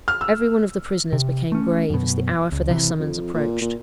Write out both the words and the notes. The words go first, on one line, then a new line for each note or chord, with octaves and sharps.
Every one of the prisoners became grave, as the hour for their summons approached.
F6
E6
C3
A3 C#4
F#2 B2
C#2
C3 E3
F2
A#2
A#2